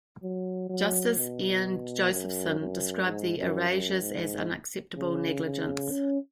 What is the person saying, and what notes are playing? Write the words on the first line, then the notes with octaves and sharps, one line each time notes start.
Justice Ian Josephson described the erasures as "unacceptable negligence".
F#3
F#3
B2
F#2
F#2
G#2
F#2
F#2
G#2
C#3
C#3
C#4